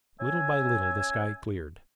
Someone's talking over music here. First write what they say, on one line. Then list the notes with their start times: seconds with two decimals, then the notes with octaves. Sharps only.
Little by little the sky cleared.
0.20 C#4 E5 G#5